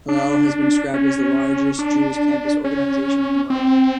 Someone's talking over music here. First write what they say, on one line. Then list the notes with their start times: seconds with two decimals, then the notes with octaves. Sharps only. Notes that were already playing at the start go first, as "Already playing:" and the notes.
Hillel has been described as the largest Jewish campus organization in the world.
0.08 D4
0.94 C#4
1.79 D4
2.64 C#4
3.50 C4